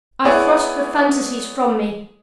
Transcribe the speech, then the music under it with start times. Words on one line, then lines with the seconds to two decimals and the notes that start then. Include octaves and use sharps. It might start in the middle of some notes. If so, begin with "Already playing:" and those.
I thrust the fantasies from me.
0.25 B3 E4 G#4 C#5 D5